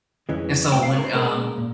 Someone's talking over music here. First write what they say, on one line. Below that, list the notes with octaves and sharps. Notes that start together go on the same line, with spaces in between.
and so when, um
F2 E3 G#3 C#4
A#2 G#3 C#4 G5
F5
C#5
A#4
C5
A#2 G#3 C#4 A#4
A#2